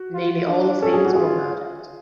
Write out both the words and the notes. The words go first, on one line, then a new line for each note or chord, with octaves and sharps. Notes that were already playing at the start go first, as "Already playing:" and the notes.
Nearly all of these were murdered.
Already playing: F#4
F4
D4
C#4 A4
G#4
F#4
F4 G#4